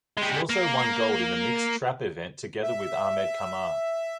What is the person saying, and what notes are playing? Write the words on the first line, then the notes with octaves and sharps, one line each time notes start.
She also won gold in the mixed trap event together with Ahmed Kamar.
G3 G#3
A#3
E5